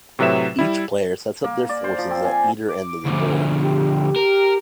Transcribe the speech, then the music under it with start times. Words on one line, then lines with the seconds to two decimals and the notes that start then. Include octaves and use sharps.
Each player sets up their forces at either end of the board.
0.19 A2 C3 F#3 B4 E5 E7
0.59 G3 E4
1.44 A#3
1.69 D5
1.84 C5
1.98 F3
2.11 C4
2.25 G#5
2.68 D6
3.06 D2 F3
3.63 G4
4.16 A#4